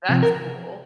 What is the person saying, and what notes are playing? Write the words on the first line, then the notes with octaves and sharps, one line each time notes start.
That's cool.
C3 F3
A#4